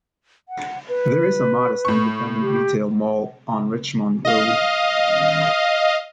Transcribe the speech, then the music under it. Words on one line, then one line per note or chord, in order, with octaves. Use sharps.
There is a modest independent retail mall on Richmond Road.
F#5
B4
A2 C#6
G4
D#5 F5